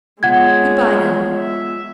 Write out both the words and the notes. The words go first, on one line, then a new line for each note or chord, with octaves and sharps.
"Good-bye, then."
G#3 B3 F4 C#5 F#5 G#6
E5